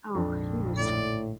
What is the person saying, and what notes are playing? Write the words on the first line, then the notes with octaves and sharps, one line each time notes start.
Oh, he was
A#1 F2 G#2 D3 D4
A2 D5